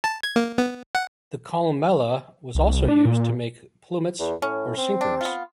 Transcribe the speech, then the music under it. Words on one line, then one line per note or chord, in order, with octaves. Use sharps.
The columella was also used to make plummets or sinkers.
A5
G#6
A#3
B3
F#5
C2
D4
A#2
E2
A2 C#4
C4
D4
B3 F4